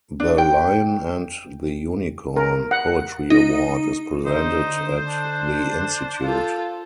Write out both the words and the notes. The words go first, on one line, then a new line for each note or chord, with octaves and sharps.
The "Lion and the Unicorn" Poetry Award is presented at the institute.
D4
G5
A#4
F#5
D#4
D3 D#4 C5
D4
F4 A4